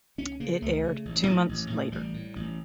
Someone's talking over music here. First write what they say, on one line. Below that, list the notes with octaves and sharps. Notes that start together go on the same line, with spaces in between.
It aired two months later.
C#2 C#4
C#3 A#3
C#2 A3
C#3
A1
A2
A1
A2
A1 G3
A2
A1